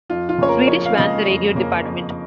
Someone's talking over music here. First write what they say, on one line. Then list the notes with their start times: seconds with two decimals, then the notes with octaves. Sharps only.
Swedish band The Radio Dept.
0.09 F2 F4
0.29 F4
0.38 C#3 A#3 C#4 C#5
0.49 A#4
0.67 F2 C#5
0.86 F5
0.96 C#3 A#3 C#4 D#5
1.26 F2
1.55 C#3 A#3 C#4
1.84 F2